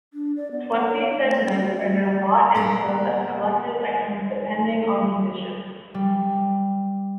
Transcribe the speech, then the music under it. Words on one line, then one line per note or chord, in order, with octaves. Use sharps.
Twenty sen notes are now bought and sold as collectors items depending on condition.
D4
D5
B3
F#5
C#5
F5
A3
C#4
F#4
E5
A3
G4
A#2 B3 A#4
G3